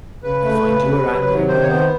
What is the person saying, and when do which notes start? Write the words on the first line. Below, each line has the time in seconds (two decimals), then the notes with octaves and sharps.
I find you are angry with me.
0.23 C#3 B4
0.44 A3
0.65 C#3
0.85 C3
1.06 F#3
1.27 C3
1.48 D#3 C5
1.62 C#5
1.67 B3 C5